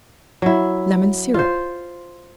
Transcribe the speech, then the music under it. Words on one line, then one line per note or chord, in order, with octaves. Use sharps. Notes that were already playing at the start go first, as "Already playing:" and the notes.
Lemon Syrup.
F#3 E4
F4 C5